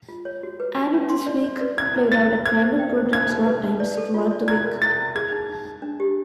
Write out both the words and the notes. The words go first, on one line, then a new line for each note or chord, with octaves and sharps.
"Added This Week" played out at random programme slot times throughout the week.
F4
C#5
F#4
B4
F#4
C#4
C6
D5
D5
B4
E4 G#6
E4
A#4 A6
E4
C5 G#6
C5
G5
C5
D#4 G#6
D#4
B4
D#4
D5
A4
F4
D5
E4 G#6
A#4
E4 A6
E4
G#4 G#6
D#4
D#4
D#4
D4
G4